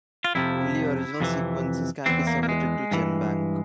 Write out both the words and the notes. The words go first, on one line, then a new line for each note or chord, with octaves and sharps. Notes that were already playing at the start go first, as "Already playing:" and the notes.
Only original sequences can be submitted to GenBank.
F4
F2 C3 F3 E4
F2 C3 E3
E2 E3 C4
A#3
A#3
G#3
G2 E3